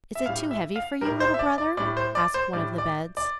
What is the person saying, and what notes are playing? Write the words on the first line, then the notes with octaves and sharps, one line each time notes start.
'Is it too heavy for you, little brother?' asked one of the beds.
E5
A2 G3 F5
E5
F5
A2 G3 A#4
C5
E5
D5
D5
A2 G3 D5
C5
D5
C5
A2 G3 D5
D5
D5